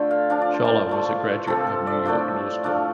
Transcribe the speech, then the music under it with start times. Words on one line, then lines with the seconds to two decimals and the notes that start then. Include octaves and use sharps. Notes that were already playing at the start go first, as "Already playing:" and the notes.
Scholer was a graduate of New York Law School.
Already playing: D3 A3 F4 G5
0.11 F5
0.30 F3 D4 F4 F5
0.41 D5
0.54 C5
0.65 D5
0.89 F3 A3 F4
1.47 C3 F3 C4 F4 A4
1.67 A4
1.87 D5
2.05 A2 A3 D4 F4 G5
2.64 F3 A3 D4 F5